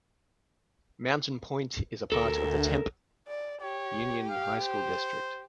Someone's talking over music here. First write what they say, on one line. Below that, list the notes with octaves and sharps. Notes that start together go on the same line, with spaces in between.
Mountain Pointe is a part of the Tempe Union High School District.
D2 A4 A#4
D5
G4 C#5
F5
C5